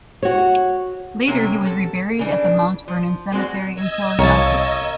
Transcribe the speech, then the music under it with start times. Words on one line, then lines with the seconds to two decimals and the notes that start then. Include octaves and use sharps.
Later, he was reburied at the Mount Vernon Cemetery in Philadelphia.
0.23 F#4 C#5
1.27 C3 F#3 A#3 C4 C#4
1.66 A4
2.19 C#3 E3 D4
2.88 F3
3.32 G#3 A#3 C4 D4 F#4
3.75 D#5 E6 G#6
4.19 C2 A#4 C#5 F5 A5